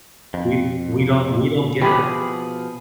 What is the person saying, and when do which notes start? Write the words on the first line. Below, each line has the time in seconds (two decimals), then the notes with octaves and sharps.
we d we don't we don't get it.
0.34 F2
1.82 B2 F3 G4 G#4 B5